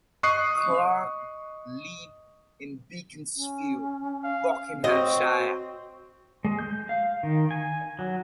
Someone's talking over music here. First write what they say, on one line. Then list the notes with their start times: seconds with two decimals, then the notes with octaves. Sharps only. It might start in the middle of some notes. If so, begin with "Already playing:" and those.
Clarke lived in Beaconsfield, Buckinghamshire.
0.23 D#5 C#6 D#6 F#6 C7
3.36 C#4
4.24 F5
4.84 C4 F#4 D#5
6.45 G#3
6.59 G6
6.89 F5
7.23 D#3
7.51 G#5
7.99 F#3